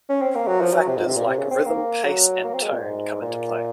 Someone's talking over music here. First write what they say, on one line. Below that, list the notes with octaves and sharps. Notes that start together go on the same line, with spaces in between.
Factors like rhythm, pace, and tone come into play.
C#4
C4
A#3
F#3
F3
F#3
C3
G#2
C3
A#2
C3
C#3
C4
A#3
F#3
A#3
C4
G#3
A#2
G#2
A#2